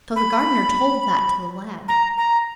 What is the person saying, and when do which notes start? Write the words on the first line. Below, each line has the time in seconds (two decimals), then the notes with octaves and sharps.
So the gardener told that to the lad.
0.16 B5
1.88 A#5
2.17 A#5